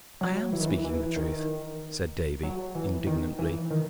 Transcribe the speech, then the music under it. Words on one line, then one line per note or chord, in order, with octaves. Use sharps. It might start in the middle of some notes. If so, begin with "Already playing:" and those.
"I am speaking the truth," said Davy, indignantly.
F#3
E3
D#3
E3
E3
D#3
F#3
E3
D#3
E3
D#3